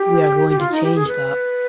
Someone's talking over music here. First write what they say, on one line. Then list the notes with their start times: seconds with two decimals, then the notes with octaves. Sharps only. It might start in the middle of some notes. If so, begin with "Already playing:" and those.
We are going to change that.
Already playing: G4
0.50 G4
0.59 F4
0.72 D#4
0.83 G4
0.95 G#4
1.08 B4